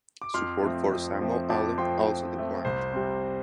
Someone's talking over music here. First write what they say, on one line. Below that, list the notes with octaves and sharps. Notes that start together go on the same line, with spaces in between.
Support for Samuel Allen also declined.
D6
F2 C6 F6
F3 A3 C4
F2
F3 A3 C4
F2 A5 D6
F3 A3 C4 G5 C6
F2
F3 A3 C4
C2 C5
C3 G3 C4